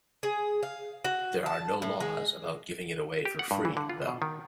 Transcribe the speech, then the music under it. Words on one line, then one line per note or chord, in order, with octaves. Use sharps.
There are no laws about giving it away for free, though.
G#4
F5
F#4
A5
A2
G#3
G4
F#5
G2
E3
D3
F4
B2
D#3